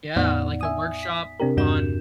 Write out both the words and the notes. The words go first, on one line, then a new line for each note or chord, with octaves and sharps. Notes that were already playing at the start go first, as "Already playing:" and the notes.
Yeah, like a workshop on
E2 A2 B3 D#4 D5 F#5
E5 G#5 D#6
B6
C3 C4 D4 G4 A#4
E2 G2 D4 F#4 G6 E7